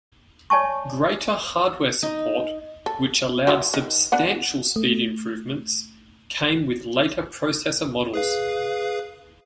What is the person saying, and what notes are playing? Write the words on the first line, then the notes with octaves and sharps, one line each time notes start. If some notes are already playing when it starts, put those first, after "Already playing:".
Greater hardware support, which allowed substantial speed improvements, came with later processor models.
C#5 D5 G#5 A5 C#6
D#4
A4
F#3 E4 F4
D#3
B3 D4 F#5
A3
G#4 B4 F5